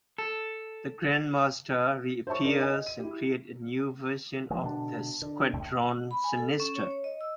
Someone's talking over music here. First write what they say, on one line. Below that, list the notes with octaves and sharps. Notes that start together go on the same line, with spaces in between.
The Grandmaster reappears and creates a new version of the Squadron Sinister.
A4
C5 C#5 E5 A5 C#6
D4 A#4 D5
C#5 D#5 G#5
D#5
D#7
E4 G4
D#3 F3 G#3
B2 D3 D4
D3
F1 C#2 A2 A3
B5
G#5
A4
C#4
C#5
C#5
D#5
E6